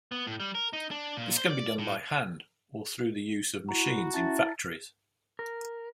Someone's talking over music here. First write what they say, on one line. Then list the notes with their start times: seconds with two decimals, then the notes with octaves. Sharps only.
This can be done by hand or through the use of machines in factories.
0.12 B3
0.27 A2
0.40 G3
0.55 A#4
0.73 D#4
0.91 D4
1.17 A#2
1.37 C5
1.50 D5
1.79 A2
3.69 E4 F#4 A#5
4.14 C#4 E4 A5 A6
5.39 A#4